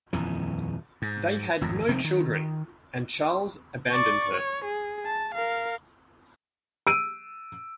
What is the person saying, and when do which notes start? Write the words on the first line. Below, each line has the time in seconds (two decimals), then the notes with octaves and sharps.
They had no children and Charles abandoned her.
0.13 D#1 F2 E3
1.02 G#2
1.61 G#1 F2 A2
1.88 F1 C3 D#3 C4
2.04 D#3
3.91 D5 C#6
4.33 C#5
4.64 G#4
5.06 A5
5.34 A#4 F5
6.87 E6 D7 D#7